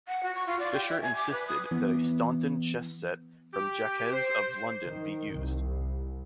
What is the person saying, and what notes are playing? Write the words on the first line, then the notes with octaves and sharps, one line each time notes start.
Fischer insisted that a Staunton chess set from Jaques of London be used.
F#5
F#4
C#6
F4
D5
G4
E5
G#5
D6
B4
D#6
E3 B3
G4
C5
D#3
C2